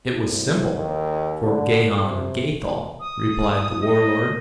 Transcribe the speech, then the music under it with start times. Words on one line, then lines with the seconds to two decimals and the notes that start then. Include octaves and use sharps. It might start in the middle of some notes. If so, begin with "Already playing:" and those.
"It was simple--for Gahan of Gathol," replied The Warlord.
0.23 C2
0.74 D#2
1.44 D3
2.01 C3
2.99 D#6
3.82 D#5